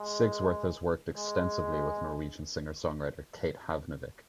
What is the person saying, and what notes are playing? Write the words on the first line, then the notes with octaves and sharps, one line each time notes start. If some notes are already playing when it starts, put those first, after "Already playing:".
Sigsworth has worked extensively with Norwegian singer-songwriter Kate Havnevik.
Already playing: G#3
G#3